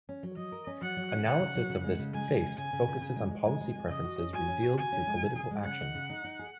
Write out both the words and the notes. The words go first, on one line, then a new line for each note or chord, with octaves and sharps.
Analysis of this "face" focuses on policy preferences revealed through political action.
C#4
F#3
F#3 D#5
A#4
C#4
F#3 F#5
F#3
C#4
C#3 F#5
C#3
F#3
C#3
G#3
C#3
G#3 G#5
G#3
C#3
C#3 G#5
C#3
C#3
C#3
G#3
G#3
G#3 G#5
G#3
G#3
C#3 D#5
F#4
C#4
F#4 G#5
C#4
F#4
F#4 G#5
C#4
G#3
C#3
G#4
G#3
C#3 F#5
D#4
C#3
D#4
D#4
G#4